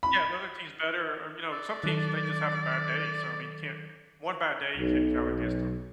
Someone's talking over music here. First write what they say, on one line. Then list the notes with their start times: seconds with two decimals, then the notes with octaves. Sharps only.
Yeah, the other team's better, or, you know, some teams, they just have a bad day. So, I mean, you can't one bad day, you can't count against 'em.
0.03 B5
1.52 D5 E6
1.84 D#3 F#3 A4
4.78 B1